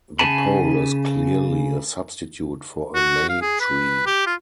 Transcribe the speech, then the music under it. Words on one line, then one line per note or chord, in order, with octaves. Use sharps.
The pole is clearly a substitute for a May-tree.
C#3 G#5 A5 B5
F#4
F5
G#4
B4
G4
F4